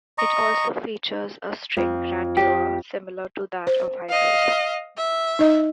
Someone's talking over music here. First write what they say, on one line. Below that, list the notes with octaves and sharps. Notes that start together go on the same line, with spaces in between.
It also features a string grandeur similar to that of Hybrid.
D#5 A#5 C#6
F2
G4
C5
D#5 F5
E5
D#4 D#5